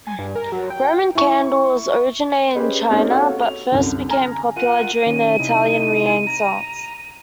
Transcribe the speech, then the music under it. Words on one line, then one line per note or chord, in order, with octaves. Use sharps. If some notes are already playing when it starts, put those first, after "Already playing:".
Roman candles originated in China, but first became popular during the Italian Renaissance.
G#5
G2
A#4
F#3
G5
E4 C#6
C#4 G4 G#4 B4 C5 D#5
G#3 A#3 C4 C#4 D#4 G4
F#4 A4 C#5 F5
F7
C2 F#2 D3
G#5 A#5 F6
F4 A#4 F#5 D#7
D#3 C#4
C3 D#4 E4
A#5